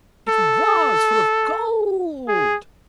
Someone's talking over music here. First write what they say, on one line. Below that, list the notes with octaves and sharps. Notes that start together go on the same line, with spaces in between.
It was full of gold.
A4
G#4